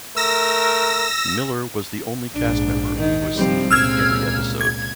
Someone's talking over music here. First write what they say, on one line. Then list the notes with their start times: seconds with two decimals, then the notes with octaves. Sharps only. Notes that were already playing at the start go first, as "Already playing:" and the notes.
Miller was the only cast member who was seen in every episode.
0.16 A3 A#4 E6 A#6
2.34 A#1 G#2 D4
2.97 D#3
3.35 C3 F3 G3 C4
3.71 C#2 A#2 E6 F6 G#6
4.61 G#6